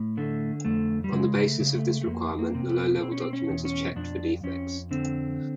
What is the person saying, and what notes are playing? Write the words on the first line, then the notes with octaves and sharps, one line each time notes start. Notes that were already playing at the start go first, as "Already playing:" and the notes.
On the basis of this requirement the low-level document is checked for defects.
Already playing: A2
D3 A3
F2 A3
G3
C#3 G#3
A3
C#3
A3
A3
F2 A#3
A#3
C3
B3
B2 C4
C#4
C4
C#4
E2
C#4
F2 D4
F2 C#4
D3 C4